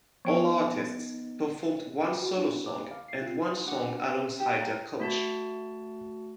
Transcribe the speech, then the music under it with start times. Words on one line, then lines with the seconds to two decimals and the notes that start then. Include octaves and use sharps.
All artists performed one solo song and one song alongside their coach.
0.25 F3 B3 D#4 G5
2.22 F#4
2.37 D4
2.66 D6
2.91 F5
3.08 C7
3.22 F4
3.44 D#4
3.66 D4 F#4 F#5
4.10 C5 E5
4.40 D#4 G4
4.61 A#4
5.00 A3 F#4 A5